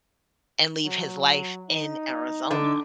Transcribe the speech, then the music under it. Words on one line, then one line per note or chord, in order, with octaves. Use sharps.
and leave his life in Arizona?
F#3
D#4
D3